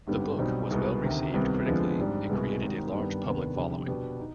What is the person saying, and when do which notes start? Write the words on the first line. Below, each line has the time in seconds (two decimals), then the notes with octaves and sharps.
The book was well received critically and created a large public following.
0.07 G#1 G2 D3 G3 B3
0.38 B1 B2 G3 C4 D#4
0.70 C2 B2 G#3 B3 D#4
1.02 D2 C3 D#3
1.34 C2 C3 D#3 B3
1.66 F2 D3 F3 G#3 B3
1.98 G#1 G#2 G3 D4
2.30 C2 B2 G#3 B3
2.61 G#1 G#2 D#3 G3
2.93 G2 D#3 G3 B3
3.24 F1 D#2 D#3 B3 D4
3.56 F1 F2 D3 G3
3.87 B2 B3 D4 G4
4.19 D#4